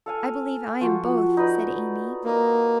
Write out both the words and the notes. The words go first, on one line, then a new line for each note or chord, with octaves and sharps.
'I believe I am both,' said Amy.
A4 F5 G#5
F3 F#4
D#4 B4 D5
A#3 D#4 D#5